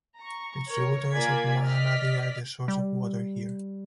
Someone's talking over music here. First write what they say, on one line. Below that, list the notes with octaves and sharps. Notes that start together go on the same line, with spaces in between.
The tributaries of Mahanadi are the source of water here.
A#5 C#6
A#4 C#5
A#3 F4 D5 G#5 G#6 B6
D5 D#5 F6 B6
G3